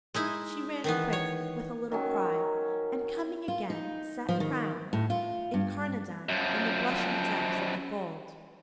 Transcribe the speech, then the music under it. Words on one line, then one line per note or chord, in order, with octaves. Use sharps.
She ran quick with a little cry, and coming again, sat crowned, incarnadine in the blushing depths of the gold.
G#3 D#4 E4
D#3 E3 B3
C#5
D#3 F#3 C#4
F4
D#4
F3
D#3
A2
F4
G2
F#2 F3